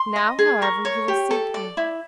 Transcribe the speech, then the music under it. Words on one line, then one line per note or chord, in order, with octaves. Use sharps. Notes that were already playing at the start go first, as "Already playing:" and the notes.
Now, however, you will seek me.
Already playing: C6
D#5
G#4
A#4 C#6
C#5
G4
A4
D5
E4